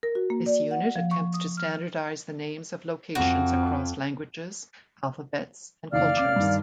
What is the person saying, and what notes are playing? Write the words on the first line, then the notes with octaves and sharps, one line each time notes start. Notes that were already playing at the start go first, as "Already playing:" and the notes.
This unit attempts to standardize the names of locations across languages, alphabets, and cultures.
A#4
F#4
A#3
D5
F#5
F3
C#6
D#6
F6
F2 F#4
F#1 D#3 E3 D5 F5 F6
C#4 D6
G2 D#3